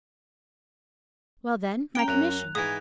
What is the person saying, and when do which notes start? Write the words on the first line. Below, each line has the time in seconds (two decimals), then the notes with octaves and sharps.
"Well, then,--my commission?"
1.95 C#4 G5 A#5 D7
2.08 F#2 F#6 F7
2.55 G#2 E3 D#6 G#6